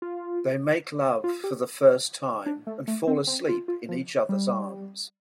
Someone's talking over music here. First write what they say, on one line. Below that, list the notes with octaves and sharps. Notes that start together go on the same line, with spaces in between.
They make love for the first time and fall asleep in each other's arms.
F4
F4
G4
D4
A3
A3
C4
C4
F4
F4
F3
G3